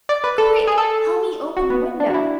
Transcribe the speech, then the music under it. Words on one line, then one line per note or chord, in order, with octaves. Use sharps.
"Quick, help me open the window."
D5
B4
A4
G#4
A4
F#4
B3
D4
F#4
E4